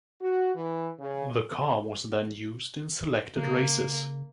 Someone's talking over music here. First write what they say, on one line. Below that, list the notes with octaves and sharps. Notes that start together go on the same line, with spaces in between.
The car was then used in selected races.
F#4
E3
C#3
C#3 A#3